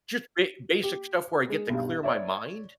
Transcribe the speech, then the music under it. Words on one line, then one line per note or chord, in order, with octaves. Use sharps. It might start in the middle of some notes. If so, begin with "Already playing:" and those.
just, ba basic stuff where I get to clear my mind.
G4
G#3
B1 G2
C#5 D5 E5